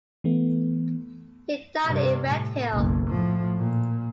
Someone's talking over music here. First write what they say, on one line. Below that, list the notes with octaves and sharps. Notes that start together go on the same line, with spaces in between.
He died in Redhill.
E3 A3 B3
G2 C3
A2
F#1 B1
A2 F3
A#2